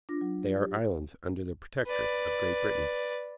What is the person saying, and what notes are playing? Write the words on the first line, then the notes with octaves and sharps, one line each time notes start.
"They are islands under the Protectorate of Great Britain."
D4 F4 A#6
F#3
G4
B4 D5